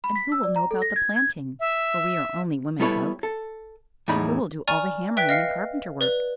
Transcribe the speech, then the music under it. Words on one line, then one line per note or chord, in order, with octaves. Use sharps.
And who will know about the planting,--for we are only 'women folks'; and who will do all the hammering and carpenter work?
B5
B6
E6
D5
A#5
A4
A#6
G#6
G#6
E5
G3 B3 E4 A4 C#5
A4
E2 A2 D#4 B5
D5 G#5 A#5 C#6 F6
B4 E5 G5 F#6 B6
D#5 F5 F6 C7 C#7
B4 D5